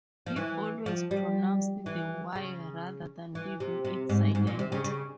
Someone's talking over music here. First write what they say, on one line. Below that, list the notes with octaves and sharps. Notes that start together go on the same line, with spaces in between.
He always pronounced the "w" rather than leaving it silent.
F3
E3
F3
G3
E3
C#3
E3
C3
C3
G#2
G#2
A#2
C3
C#3
C#3